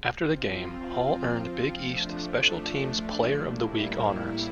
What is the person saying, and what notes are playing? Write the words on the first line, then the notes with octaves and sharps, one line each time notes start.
After the game, Hall earned Big East Special Teams Player of the Week honors.
F3 C4 F4
F3 A3 D4
A2 G3 A#3 E4